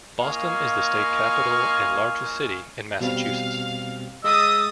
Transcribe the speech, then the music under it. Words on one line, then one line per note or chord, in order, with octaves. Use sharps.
Boston is the state capital and largest city in Massachusetts.
A#3 F4 D#5 F5 G#5 C#6
B2 G3 C4 F5
G#3 D#5 D#6 E6 A6